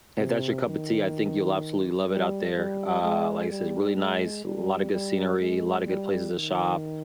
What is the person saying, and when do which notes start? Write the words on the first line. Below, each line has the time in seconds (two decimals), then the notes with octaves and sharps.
if that's your cup of tea, I think you'll absolutely love it out there, uh, like I says, it's really nice, a lotta good scenery, a lotta good places to shop,
0.19 C3
0.67 D#3
2.08 G3
2.56 G3
3.03 G#3
3.51 G3
3.98 G#3
4.45 G3
4.92 G3
5.40 G#3
5.87 G3
6.34 D#3